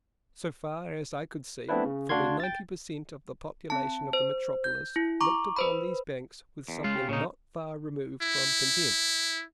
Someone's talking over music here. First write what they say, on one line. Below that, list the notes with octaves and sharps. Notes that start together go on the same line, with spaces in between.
So far as I could see, fully ninety per cent. of the population of the metropolis looked upon these banks with something not far removed from contempt.
A3 B3 C4 D4 E4 B4
C#3
D2 D4 F#4 F5 C6 G#6
G5 A6
C4 A5
C5
G6
E4
A#5 C#6 D6
B4 C5 B5
E2
C#3 G#3 F4
G4
A#2 C#3 D#4 C#5
E4